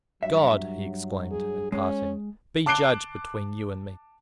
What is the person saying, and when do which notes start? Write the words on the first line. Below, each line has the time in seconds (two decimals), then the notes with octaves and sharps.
"God," he exclaimed, at parting, "be judge between you and me!"
0.23 G2 F#3 E5
1.31 G#4
1.72 G#3 C#4
2.66 A5 D6 F#6 C7 D7 G7